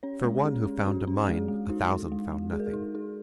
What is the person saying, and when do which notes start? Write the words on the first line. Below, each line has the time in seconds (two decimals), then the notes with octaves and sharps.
But for one who found a mine a thousand found nothing.
0.03 C#4 C#5
0.24 G#3
0.44 C#4 G#4
0.66 C#4
0.86 C#4 F#4
1.07 C#4
1.28 G#3 G#4
1.48 G#3
1.69 D#4 F#4
1.90 D#4
2.12 G#3
2.32 G#3
2.53 G#3 G#4
2.60 A#4
2.67 G#4
2.73 D#4
2.95 D#4 G#4